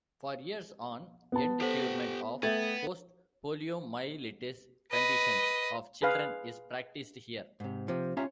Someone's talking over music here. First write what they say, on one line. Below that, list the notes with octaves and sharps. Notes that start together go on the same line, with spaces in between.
For years on end curement of post poliomyelitis conditions of children is practised here.
B3 A5
G4 A4 C5 F#5 B6
A3 B3 G5 G#6 A6
B4 D#5
G#4 B4 F5
G#2 C3
C3 F3
C#4 F4 G4 E5 A#5